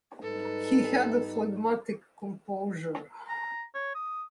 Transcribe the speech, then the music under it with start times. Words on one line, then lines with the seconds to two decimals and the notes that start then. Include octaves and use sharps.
He had a phlegmatic composure.
0.23 G#2 G3 D#4 A4 B4
3.29 A#5
3.75 C#5
3.95 D#6